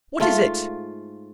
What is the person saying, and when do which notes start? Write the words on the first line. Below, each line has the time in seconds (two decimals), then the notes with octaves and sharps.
What is it?
0.20 G#2 A3 F4